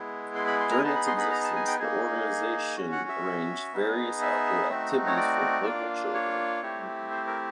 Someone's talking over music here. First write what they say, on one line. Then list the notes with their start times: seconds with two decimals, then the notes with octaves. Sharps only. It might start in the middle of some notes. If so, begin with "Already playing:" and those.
During its existence the organisation arranged various outdoor activities for local children.
Already playing: G#3 B3 E4 G#4
0.35 C6
0.47 B5
0.60 C6
0.71 A#5
0.78 G#5
0.83 B3 D#4 G#4 A5
0.96 B5
1.07 C6
1.20 B5
1.31 A#5
1.44 A5
1.56 G#5
1.67 G5
1.80 A#3 D#4 G#4
2.77 C#4 F#4
2.92 F#5
3.09 E5
3.73 B3 D#4 G#4
4.22 E5
4.69 A3 C4 D#4 F#4
5.06 C#5
5.17 D5
5.66 A#3 D4 F4
6.14 C#5
6.63 A3 C4 E4 G4
7.11 C5
7.27 A#4